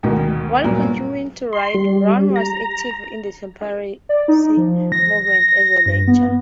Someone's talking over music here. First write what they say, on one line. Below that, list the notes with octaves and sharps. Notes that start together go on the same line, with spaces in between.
While continuing to write, Brown was active in the Temperance movement as a lecturer.
D2 G#2 B2 D#3
G2 A#2 F#3 B3
C6
G3
A#5
D5
D#4
F3
A#6
A#6
A#6
G2
B3